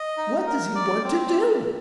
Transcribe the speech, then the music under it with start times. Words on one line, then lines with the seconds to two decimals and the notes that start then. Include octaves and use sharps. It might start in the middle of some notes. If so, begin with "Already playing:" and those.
"What does he want to do?"
Already playing: D#5
0.17 D#4
0.47 A#4
0.75 D5
1.04 C4